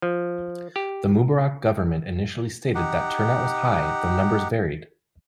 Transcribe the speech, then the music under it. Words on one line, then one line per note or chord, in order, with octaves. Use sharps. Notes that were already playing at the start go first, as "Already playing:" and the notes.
The Mubarak government initially stated that turnout was high, though numbers varied.
F3
G4
D#4 G4 F#5